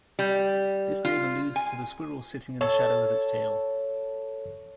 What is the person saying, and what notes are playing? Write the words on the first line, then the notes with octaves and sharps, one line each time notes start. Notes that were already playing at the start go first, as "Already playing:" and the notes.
This name alludes to the squirrel sitting in the shadow of its tail.
G3
F4
G#5
A4 C#5